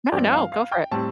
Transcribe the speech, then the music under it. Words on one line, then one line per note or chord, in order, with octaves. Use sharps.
No, no, go for it.
G2 F3 C4 D5
F5
F5
G5
A2 G3 C4 A5